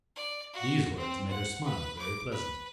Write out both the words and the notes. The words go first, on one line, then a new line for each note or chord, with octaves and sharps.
These words made her smile very pleasantly.
D5
F#4
C4
F#5
B4
D6
B4